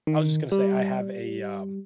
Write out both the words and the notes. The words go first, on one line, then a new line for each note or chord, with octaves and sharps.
I was just gonna say, I have a, um
D#3
G3